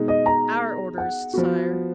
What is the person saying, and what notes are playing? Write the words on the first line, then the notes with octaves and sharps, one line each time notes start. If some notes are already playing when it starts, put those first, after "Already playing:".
"Our orders, Sire."
Already playing: B2 G#3 D#4
D#5
A#5
F#5
F3 B3 F#4